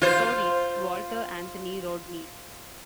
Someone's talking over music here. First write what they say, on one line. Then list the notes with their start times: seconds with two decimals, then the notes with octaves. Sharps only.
Stories: Walter Anthony Rodney.
0.02 F4 C5